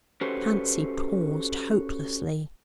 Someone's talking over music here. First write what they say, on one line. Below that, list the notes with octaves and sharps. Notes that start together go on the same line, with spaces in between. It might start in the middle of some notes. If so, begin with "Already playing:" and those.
Fancy paused hopelessly.
C#4 F#4 G4 A4 B4 C5